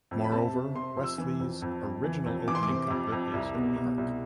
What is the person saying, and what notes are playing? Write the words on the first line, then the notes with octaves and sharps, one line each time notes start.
Moreover, Wesley's original opening couplet is Hark!
F2
B5
C3 A5
C3
C3 C6
F2
E6
E3
F2
F2
F2
E3
F2
E3 D6
C6
D6
C3
F2
F2
C2
B2
B2
C2